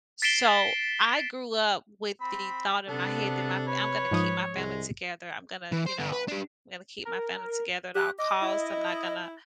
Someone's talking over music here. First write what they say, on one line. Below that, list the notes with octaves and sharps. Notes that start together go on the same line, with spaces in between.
So I grew up with the thought in my head that my fa I'm gonna keep my family together. I'm gonna, you know, I'm gonna keep my family together at all costs. I'm not gonna
A6 B6 C7 D7 E7 G7
C4 B5
C3 B3 D4 A4
B4 C#5
G#2 F3 D#6
C2 G#3
E3
C5
D3 B3
B4
D4 G4
A#4
G4 F#6
D#5 D6
E4